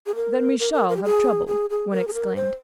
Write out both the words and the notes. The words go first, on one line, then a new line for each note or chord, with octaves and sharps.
"Then we shall have trouble," one exclaimed.
G#4
A#4
A#4
A#4
A#4
G4
G#4
G#4
G#4
A#4
G#4
A#4
C5